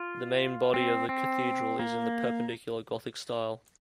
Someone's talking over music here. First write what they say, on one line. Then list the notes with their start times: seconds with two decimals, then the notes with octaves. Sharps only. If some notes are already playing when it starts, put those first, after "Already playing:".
The main body of the cathedral is in the Perpendicular Gothic style.
Already playing: F4
0.74 C4
1.09 C4
1.79 A#3